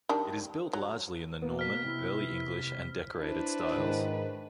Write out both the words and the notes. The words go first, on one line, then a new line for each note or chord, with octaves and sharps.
It is built largely in the Norman, Early English and Decorated styles.
D#3 G3 D4
F#3
B2 A#3 B3
F6 B6
C3 E4
D4 E4 B4 C5
G#2 D#3